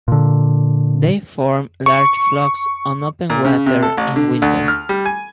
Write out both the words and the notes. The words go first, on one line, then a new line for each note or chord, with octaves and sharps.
They form large flocks on open water in winter.
A#2 D3
C#6
A#2
C#3
C3
A4
A1
D3
D2
F6
G3
G#5